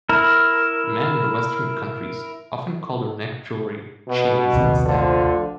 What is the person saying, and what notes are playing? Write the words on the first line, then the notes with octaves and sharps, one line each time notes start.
Men in Western countries often call their neck jewelry "chains" instead.
E4 A#4
B2
A#1 D#2 C3
D2 D3 F3